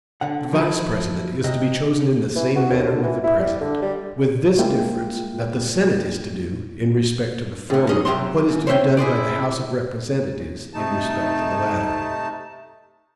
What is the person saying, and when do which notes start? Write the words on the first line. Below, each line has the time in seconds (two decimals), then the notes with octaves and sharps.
The Vice-President is to be chosen in the same manner with the President; with this difference, that the Senate is to do, in respect to the former, what is to be done by the House of Representatives, in respect to the latter.
0.21 D3 F#5
0.53 F3 D#4 E4 F#4 A4
1.44 C3 D#5
2.36 E3
2.56 F#4
2.71 D#2
2.87 D3
3.03 E3
3.23 E4
3.39 G3
3.61 D3
3.82 G3
4.59 G#3 A#3 E4 F4 G5
7.70 A2 D3
7.89 C#4 D#4 G#4 D#5
8.05 C2 F2 F#3 G4 E5 C6
8.49 E2
8.67 C5 C#5 E5 F5 G5
8.97 E4 G#4 C5 D5
10.73 C3 A3 D#4 A5